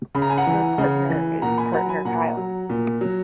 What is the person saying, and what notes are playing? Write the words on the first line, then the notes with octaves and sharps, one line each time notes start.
Her partner is Partner Kyle.
C#3 B5
A#5
G#5
F#5 A#5
E3
C#3
E3
A#2 F#5 A#5
G#5 B5
F#3 F#5 A#5
G#5 B5
A#2 F#5 A#5
F#3
A#2
F#3